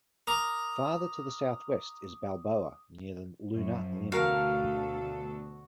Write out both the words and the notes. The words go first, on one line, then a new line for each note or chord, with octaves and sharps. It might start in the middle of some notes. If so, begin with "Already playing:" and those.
Farther to the southwest is Balboa, near the lunar limb.
A#4 D6 D#6
F#2 F3
D2 B2 F#4 A4 A#4 F5